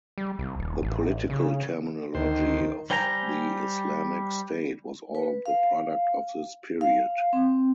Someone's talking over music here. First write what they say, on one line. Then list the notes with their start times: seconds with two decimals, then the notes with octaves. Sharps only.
The political terminology of the Islamic state was all the product of this period.
0.18 G3
0.39 C2
0.59 D#1
0.83 A1
1.30 C#3
2.15 D2 D#3 C5
2.90 G3 C5 G5 G#5 A#5
5.15 B4
5.46 F5
6.81 F5
7.33 C4